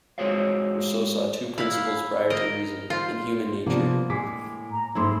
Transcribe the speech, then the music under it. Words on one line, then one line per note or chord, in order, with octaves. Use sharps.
Rousseau saw "two principles prior to reason" in human nature.
G#3 F#4 G#4 C5 C#5 F5
E4 F5 B5
A#4 D#5
F4 C5
C3 F3 A#3 B3 D4
A2 G#3 D6 B6
A#5
F#1 G#2 A3 E4 C6